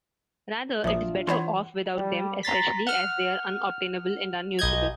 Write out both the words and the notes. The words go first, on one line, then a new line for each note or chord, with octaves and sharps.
Rather, it is better off without them, especially as they are unobtainable and unusable.
A#1 D4 F4 E5 D#6
E3 C5 C#5 F#5 B5 C6
G3
A#5 C6 A6 B6
F#5 F6
B1 D#5 G6 G#6